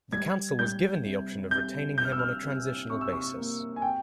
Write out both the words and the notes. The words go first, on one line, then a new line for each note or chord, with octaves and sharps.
The council was given the option of retaining him on a transitional basis.
G3 G#6
G3 G6
C3
C3 G6
C3 G6
F6
E6
F6
C3
C3 C#6
E6
C#6
A#3
G#5
C3 G5